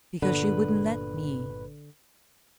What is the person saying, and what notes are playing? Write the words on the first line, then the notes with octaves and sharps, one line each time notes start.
"Because she wouldn't let me."
G1 A#2 D3 B4